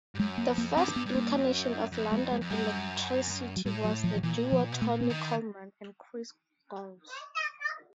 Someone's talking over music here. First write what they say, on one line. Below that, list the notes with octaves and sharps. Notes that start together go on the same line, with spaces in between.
The first incarnation of London Elektricity was the duo Tony Colman and Chris Goss.
G2
F#2 G#3
A#3
F2
A#3
G2 C4
B3
G2
A#3
F#2
F2
G#3
G#3
F2
F#2 G3
F#3
A2 G3
F#3
F3
F3
A#2 E3
F3
B2
A#2 A3
B3
D#3